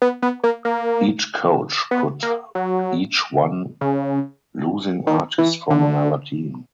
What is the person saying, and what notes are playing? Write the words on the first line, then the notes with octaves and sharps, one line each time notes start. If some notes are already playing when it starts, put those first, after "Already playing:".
Each coach could each one losing artist from another team.
B3
B3
A#3
A#3
B3
A#3
F#3
C#3
D#3
E3
D3